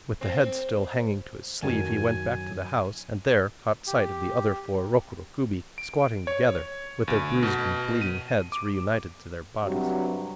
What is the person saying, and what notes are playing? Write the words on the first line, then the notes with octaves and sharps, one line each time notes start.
With the head still hanging to his sleeve he went back to the house, and there caught sight of the other four Rokuro-Kubi squatting together, with their bruised and bleeding heads reunited to their bodies.
C4
F#2 D#3 F#3 G#5 A5
G4
D7
C#5
D2
B2
D#7
D6
G2 C3 F#3